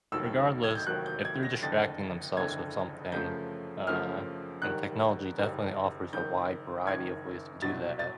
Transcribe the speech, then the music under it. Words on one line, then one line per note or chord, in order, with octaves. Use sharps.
regardless, if they're distracting themselves with something, uh, and technology definitely offers a wide variety of ways to do that,
F1 D#2 D#3 F#3 E6
G#6
G6
F1 D#2 D#3 F#3 F#6
G6
G#6
A#6
F#1 F2 D3 A6
F#1 F2 D3 G#6
F#2 C#3 F3 A3 G6
F#2 C#3 F3 A3 F6
F#1 F#2 D#3 G3 F#6
F#1 F#2 D#3 G3
F#1 F#2 D#3 G6
F#1 F#2 D#3 G#6
C2 B2 F#3 A6
A6